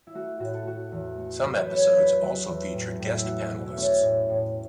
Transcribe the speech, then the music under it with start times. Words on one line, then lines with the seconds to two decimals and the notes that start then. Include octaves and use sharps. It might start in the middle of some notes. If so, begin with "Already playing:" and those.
Some episodes also featured guest panelists.
0.07 E4
0.15 A3 F#4
0.40 A2 F#4
0.54 A4
0.66 A3 F#4
0.92 E2
1.18 A3
1.44 F#2
1.63 B4
1.70 A3 C#5
1.95 E2 B4
2.22 F#3 B4
2.47 E2
2.73 A2
2.99 A2
3.18 E4
3.24 A3 F#4
3.51 B2
3.66 E4
3.76 A3 C#4
4.02 A2
4.29 A2